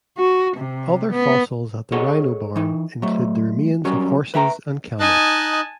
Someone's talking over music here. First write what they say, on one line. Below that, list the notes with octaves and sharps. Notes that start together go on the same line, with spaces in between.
Other fossils at the "Rhino Barn" include the remains of horses and camels.
F#4
C3
B3
G#4 A4 C#5 D#5 F#5
E3 D#4
F#3 A3
F#3 G3 C#4 F#4
B4 E5 G5 A#5
D#4 D#5 G#5 A5 F#6